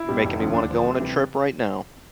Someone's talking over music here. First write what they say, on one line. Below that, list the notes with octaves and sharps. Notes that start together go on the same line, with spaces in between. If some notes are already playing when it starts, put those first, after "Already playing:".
You're making me wanna go on a trip right now.
Already playing: E4
B2 G3
F1
D#2 C#3 F3
D#2 D4
D3 F3
D2
C3 E3 G3